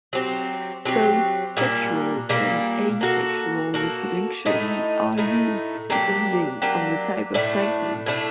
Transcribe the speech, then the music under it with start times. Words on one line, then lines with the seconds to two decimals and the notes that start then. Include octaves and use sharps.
Both sexual and asexual reproduction are used depending on the type of plankton.
0.13 F#3 C4 G4
0.85 F#3 C4 G4
1.57 A#2 G3 A#3 D4
2.29 A#2 G3 A#3 D4
3.01 A#3 F#4 A4
3.74 A#3 F#4 A4
4.46 A2 A3 D#4
5.17 A2 A3 D#4
5.90 F#3 A#3 D4 G4
6.62 F#3 A#3 D4 G4
7.34 A2 A3 D4
8.06 A2 A3 D4